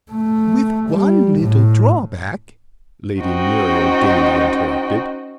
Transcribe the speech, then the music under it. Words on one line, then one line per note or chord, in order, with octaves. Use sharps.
"With one little drawback!" Lady Muriel gaily interrupted.
A3
G3
A2
C#4 D#4 F#4 C5 D#5 G5